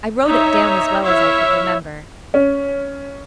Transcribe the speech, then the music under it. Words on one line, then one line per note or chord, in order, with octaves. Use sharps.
I wrote it down as well as I could remember.
D#4 C#5 E5 A#5
E4 C#5 E5 F5
C#4